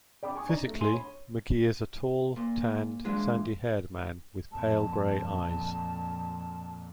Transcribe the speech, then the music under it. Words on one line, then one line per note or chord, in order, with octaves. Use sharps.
Physically, McGee is a tall, tanned, sandy-haired man with pale grey eyes.
D5 G5 B5 D6
G#5 C#6 D#6
D#4 D5 A#5
A3
G#5 C6 D#7 F7 G7
C#5 B5
A#2
E3 G#3 D4 F4
F2 A#2 A5